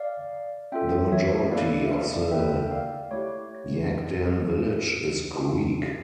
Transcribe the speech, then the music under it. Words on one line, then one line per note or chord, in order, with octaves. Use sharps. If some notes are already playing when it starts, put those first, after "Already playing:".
The majority of the Yaghdan village is Greek.
Already playing: D5 F5
C#4 F4 A4 E5 G5
C#5 E5
A#3 E4 A4 D5 F5
D5
E5
D5 F5
A#3 E4 A4 E5 G5
G5
D5 F5
A3 E4 G4 C#5